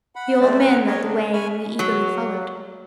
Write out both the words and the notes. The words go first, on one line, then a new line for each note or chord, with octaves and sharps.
The old man led the way, and we eagerly followed.
F#5 B5
E3 G#3 A3 C4 C5 D5
G2 B4 A#5 F6
A#4 C#5 D#5
C#3 D4
G#5 B5 C#6 F6
F#3